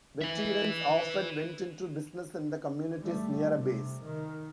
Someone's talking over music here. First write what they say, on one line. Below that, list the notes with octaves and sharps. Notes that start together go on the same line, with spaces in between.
Veterans often went into business in the communities near a base.
B4 E5
G3 A3
C3
D#3